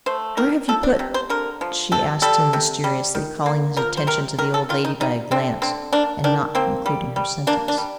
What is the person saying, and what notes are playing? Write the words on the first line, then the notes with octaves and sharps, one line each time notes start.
"Where have you put ---- ----?" she asked him, mysteriously, calling his attention to the old lady by a glance, and not concluding her sentence.
A3 C5
D#3 A#4
F3 A4
D4
C3
C5
D3 A#4
F3
C3 A4
G3 A4
C3
G3
D#3
A#3
F3 A#4
C5
C3 A#4
D#3 A#4
A4
D#3 F4
D#4
G3 D#4
D3 C4
D3 C4
A#3 D4
D#3 D4
A#3 C4
G3
G3
A#3 D4
D4
G3